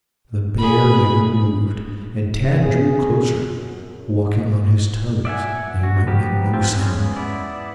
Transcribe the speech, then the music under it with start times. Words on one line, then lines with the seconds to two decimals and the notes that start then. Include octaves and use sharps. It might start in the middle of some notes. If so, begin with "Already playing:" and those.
The bear never moved and Tad drew closer, walking on his toes that he might make no sound.
0.58 G#4 B5
2.58 G#4
3.51 F#2
5.25 D5 E5 F#5 G#5
5.83 F#4
6.07 F3 G3 B3 G4 A#4
6.53 C4 F4 G4
6.73 G#3 B3 C#4
7.16 B3 E4 D5